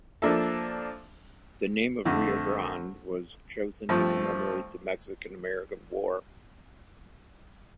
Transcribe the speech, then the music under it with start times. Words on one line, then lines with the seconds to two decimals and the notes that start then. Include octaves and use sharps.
The name of Rio Grande was chosen to commemorate the Mexican-American War.
0.22 F3 A#3 D4 A4 E5
2.05 F2 D3 A3
3.89 G2 F3 A3 C4